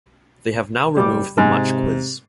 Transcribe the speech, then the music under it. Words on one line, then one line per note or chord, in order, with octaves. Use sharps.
They have now removed the Much Quiz.
F#1 G3 D6
G#2 C3